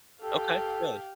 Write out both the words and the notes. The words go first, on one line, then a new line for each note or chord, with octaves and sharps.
Okay. Good.
G4 A4 F5 G5